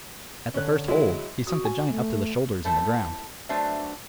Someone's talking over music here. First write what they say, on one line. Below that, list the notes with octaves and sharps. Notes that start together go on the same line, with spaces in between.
At the first hold, he sunk the giant up to the shoulders in the ground.
D3 C#4 F#6
F#3 G#3 E4
F#4 D#6
G#5
A3
A3 E4 A4 C5 A5
F#3 A3 D4 B4 C5 E5